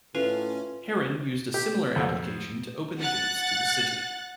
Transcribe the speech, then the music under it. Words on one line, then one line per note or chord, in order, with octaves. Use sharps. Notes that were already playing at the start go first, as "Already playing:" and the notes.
Heron used a similar application to open the gates to the city.
A2 C#4 F4 B4
G4
F2
F#5 F#6 A6